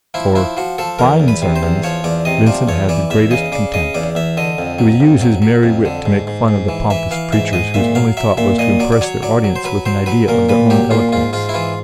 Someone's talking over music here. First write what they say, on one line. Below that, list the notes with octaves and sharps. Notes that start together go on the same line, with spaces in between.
For "fine sermons" Vincent had the greatest contempt; he would use his merry wit to make fun of the pompous preachers whose only thought was to impress their audience with an idea of their own eloquence.
F3 E4
F3 E4
F3 F#4
F3 A4
E2 A#4
E2
B4
C3
C5
E2
F3 C#5
E2 D5
C3 D#5
F3 D5
E2 C#5
E3 D5
E2 E5
C#3 D#5
C#3 D5
C#3 D#5
E2 D5
E2 E5
D3 D#5
F2
F#3
F2
F#3
F#3
F2
D3
G#2
G#2
G#2
E3
E3 E5
E3 F5
G#2 E5
G#2 D#5
A#2 E5
F#3 F5
F#3 E5
A#2 E5
A#2 D#5
F#3 D5
D5
F#3 C#5
F#3 D5
F#3
C5
F#3 B4
F#3 C5
F#3 B4
A#2 A#4
A#2 B4
F#3 G4
A#2 F4
G#2 F4
G#2 F4
E4
E3 F4